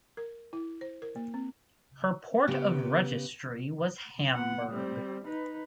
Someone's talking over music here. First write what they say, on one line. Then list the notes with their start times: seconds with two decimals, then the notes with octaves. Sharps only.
Her port of registry was Hamburg.
0.17 A#4
0.53 E4
0.81 C5
1.02 A#4
1.16 A#3
1.34 C4
2.47 C#3 B3 G4
4.29 B3 F#5
4.69 G3 C4
5.25 D#4 B4